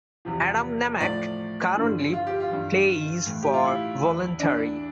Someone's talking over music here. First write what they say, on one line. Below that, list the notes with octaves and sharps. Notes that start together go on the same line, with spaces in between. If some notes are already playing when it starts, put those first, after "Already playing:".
Adam Nemec currently plays for Voluntari.
E2 C3 F3
A2 F3 D5
G2 D3 F3
F4
G4
F4
G2 E3
A2 E3
G4
F4
E4
E2 E3
D4